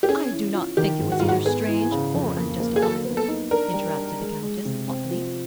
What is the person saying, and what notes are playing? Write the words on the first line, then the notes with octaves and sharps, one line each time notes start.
"I do not think it was either strange or unjustifiable," interrupted the Countess, hotly.
G4
C#4 G#4
E3
F4
D#3 G4
G#2
F#4
G#2 F4
F#4
B3 G#4
E3
C#3
F2
A#3
A#3
G#4
F#3 A4
B3
A4
D#4
D4 A#4
G3
D4
G#3
G#3
C3
C4
F3